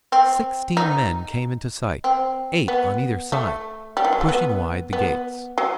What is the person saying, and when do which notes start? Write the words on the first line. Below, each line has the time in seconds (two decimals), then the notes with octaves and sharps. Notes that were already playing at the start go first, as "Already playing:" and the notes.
Sixteen men came into sight, eight on either side, pushing wide the gates.
0.12 C4
0.77 D#4
2.04 C4
2.68 B3
3.32 A3
3.97 G3
4.05 E3
4.13 F#3
4.21 A3
4.28 B3
4.93 B3
5.58 F#3